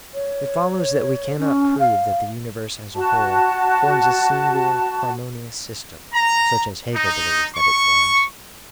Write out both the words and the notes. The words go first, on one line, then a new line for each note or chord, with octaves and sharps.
It follows that we cannot prove that the universe as a whole forms a single harmonious system such as Hegel believes that it forms.
C#5
C#4
F5
F#4 A5
A#5
D#4
C#6